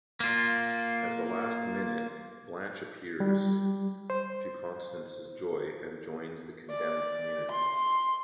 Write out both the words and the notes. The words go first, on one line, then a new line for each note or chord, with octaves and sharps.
At the last minute, Blanche appears, to Constance's joy, and joins the condemned community.
A#3 F4
G3
C5
D5
C6